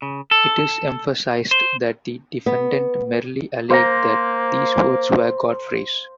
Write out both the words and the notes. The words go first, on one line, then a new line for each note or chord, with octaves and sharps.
It is emphasised that the Defendant merely alleged that these words were Godfrey's.
C#3
A4
C5
B3
A#3 C5 F5 A#5